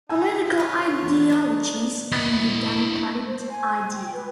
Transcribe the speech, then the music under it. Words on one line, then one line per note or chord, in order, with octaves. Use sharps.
Political Ideologies and the Democratic Ideal.
D#4 G#5 E6
F3 E4
D3 F4 B4 C#5
E2
D4 D#4
E4 D#5
C5
G#5
G5
B4